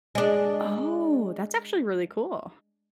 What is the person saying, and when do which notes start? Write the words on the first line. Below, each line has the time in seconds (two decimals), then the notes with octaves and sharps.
Oh, that's actually really cool.
0.15 G#3 D4